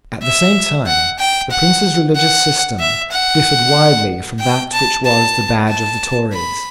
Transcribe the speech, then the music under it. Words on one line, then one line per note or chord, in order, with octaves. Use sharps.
At the same time the Prince's religious system differed widely from that which was the badge of the Tories.
E5
F#5
G5
F#5
F#5
E5
F#5
G5
A5
A5
A5
B5